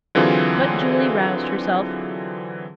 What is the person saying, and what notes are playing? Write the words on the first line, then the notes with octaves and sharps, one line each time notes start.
But Julie roused herself.
D3 E3 F#3 C4 F4 G#4